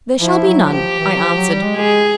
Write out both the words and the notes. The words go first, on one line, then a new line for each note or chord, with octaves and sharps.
'There shall be none,' I answered.
F3 E4
F#3
F3 G4
E3
F#3
F3
F#3
G3
G#3
G#3 G#4